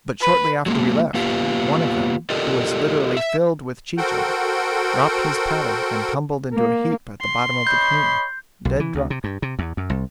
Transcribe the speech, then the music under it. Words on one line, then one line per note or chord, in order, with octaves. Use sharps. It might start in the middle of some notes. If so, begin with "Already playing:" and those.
But shortly after we left, one of them, who was literally filled with chicha, dropped his paddle and tumbled into a heap at the bottom of the canoe, dead drunk.
B4
F#3 G#3 A#3
A#3 B3 F4 G4
F4 G4 A4 A#4 D5 D#5
E5
F#4 A4 A#4 C5 F#5 G5
A#3
C6
C#5 D#5 B5 G6
B1
E3
D2
C3
G2
C3
E2
F#2
C2